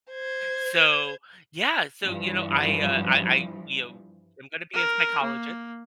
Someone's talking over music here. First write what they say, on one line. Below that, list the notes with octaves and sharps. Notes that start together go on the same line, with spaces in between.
So, yeah, so, you know, I, uh, I I you know, I'm gonna be a psychologist.
C5 G#6
G2 E3 F3
A#4
A#3